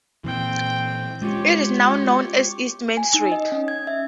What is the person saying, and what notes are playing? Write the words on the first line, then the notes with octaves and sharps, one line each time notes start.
It is now known as East Main Street.
A#2 E3 C4 G5
G#3 C#4 F4 G4 C#5
G#5
D#4
D#5
C#4
G#6
E5